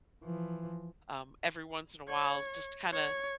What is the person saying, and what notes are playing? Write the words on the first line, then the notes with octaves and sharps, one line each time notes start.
um, every once in a while just to kinda
E3 F3
C#5
C#5